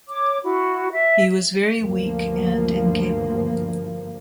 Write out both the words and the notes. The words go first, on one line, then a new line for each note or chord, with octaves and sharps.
He was very weak and incapable.
C#5 D6
E4 F#4
E5
D2 G2 F3 A#3